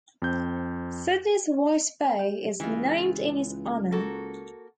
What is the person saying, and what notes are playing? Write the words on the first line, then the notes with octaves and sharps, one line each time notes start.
Sydney's White Bay is named in his honour.
F2 C4 G6
G4
C#2 E3 G#3 F4
A#3 F#4 A4 A#5